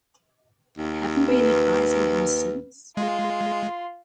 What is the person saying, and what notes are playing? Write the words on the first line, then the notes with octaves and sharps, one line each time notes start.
Have you been advising him since?
D#2
B4
G#3 F4 C6